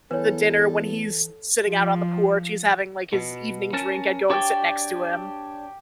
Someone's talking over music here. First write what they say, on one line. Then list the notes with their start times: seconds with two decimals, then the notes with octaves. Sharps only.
the dinner, when he's sitting out on the porch, he's having like his evening drink, I'd go and sit next to him.
0.11 E2 E3 A4 B4 C#5
1.66 F3
3.13 B2
3.73 C#4 A#4 A5
4.30 D4 G4 C#5 D5 G5